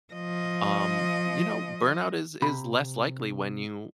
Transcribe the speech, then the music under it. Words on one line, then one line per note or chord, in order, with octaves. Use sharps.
um, you know, burnout is is less likely when you
F3 D#5
C3 B5